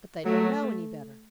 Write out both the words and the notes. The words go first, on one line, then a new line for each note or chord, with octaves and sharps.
'But they don't know any better.
F#3 A3